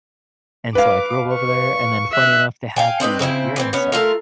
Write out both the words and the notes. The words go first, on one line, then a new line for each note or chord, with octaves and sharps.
And so, I drove over there, and then funny enough, they had the earring set,
B4 F5 D6
C#6
E5 F#6
F5 G5 G#5
C4 D4 D#4 B4
C#3 C4 D#4 E4
E3 B3 C4
B3 C#4
A3 F4 A#4